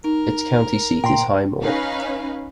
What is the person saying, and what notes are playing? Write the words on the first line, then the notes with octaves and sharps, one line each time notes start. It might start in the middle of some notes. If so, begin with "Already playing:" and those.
Its county seat is Highmore.
D#4 A#4
A#2 G5 A#5 C6
C#4 D#4 B4 F5